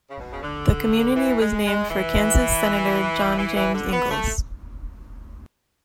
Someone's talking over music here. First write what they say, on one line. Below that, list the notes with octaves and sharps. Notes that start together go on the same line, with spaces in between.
The community was named for Kansas senator John James Ingalls.
C#3
B2
C#3
D3
E3
G#3
G#3
E3
E3
E3
D3
B3
A3